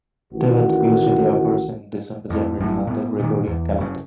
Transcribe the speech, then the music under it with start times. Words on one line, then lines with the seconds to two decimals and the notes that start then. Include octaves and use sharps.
Tevet usually occurs in December-January on the Gregorian calendar.
0.33 A1 D#3 F#4
2.30 F2 A2
2.58 G#1 F#2 A2
2.87 A2 B3
3.20 A#2 D#3
3.47 E2
3.78 F#1 C#3